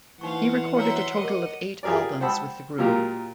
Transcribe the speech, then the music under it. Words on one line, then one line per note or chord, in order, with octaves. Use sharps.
He recorded a total of eight albums with the group.
E3 D#4 C5 F5 F#5 C#6
F#4 C#5 E5 A#5 C6
A#4 D#5 D6
F4 G4 G#4 A#4 D5
C5 F#5 G5 A5 B5 E6
A#2 F#3 F4 G4 A#4